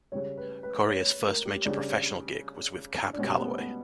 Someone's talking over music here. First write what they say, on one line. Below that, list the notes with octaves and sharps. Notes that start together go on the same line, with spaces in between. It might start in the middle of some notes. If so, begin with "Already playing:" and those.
Corea's first major professional gig was with Cab Calloway.
C#3 G3 C#5
B4
B4
C#5
A#4
G4
C#3 G3 D4
D4
B2 G3 C#4
B3
B3